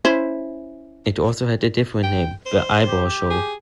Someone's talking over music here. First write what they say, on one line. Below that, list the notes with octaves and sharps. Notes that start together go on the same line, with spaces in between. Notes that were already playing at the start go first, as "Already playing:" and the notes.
It also had a different name: The Eyeball Show.
C#4 E4 C5
G5
C5
G4
G#4